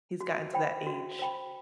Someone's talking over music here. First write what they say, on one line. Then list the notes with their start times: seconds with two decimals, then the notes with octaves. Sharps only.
He's gotten to that age.
0.21 F#4
0.54 C5 G5 B5
0.87 F#4
1.19 C5 G5 B5